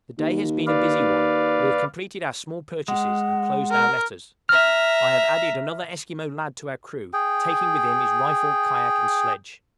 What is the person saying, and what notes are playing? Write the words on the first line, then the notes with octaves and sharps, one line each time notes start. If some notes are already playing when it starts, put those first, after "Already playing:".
The day has been a busy one: we have completed our small purchases and closed our letters; I have added another Esquimaux lad to our crew, taking with him his rifle, kayak, and sledge.
D#2
B4 D5 F5
G#3 F#5
A#4
E5 A#5 F6
G#4 G5